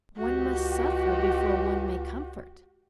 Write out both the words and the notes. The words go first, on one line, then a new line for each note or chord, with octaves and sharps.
One must suffer before one may comfort.
C#2 F#4 G4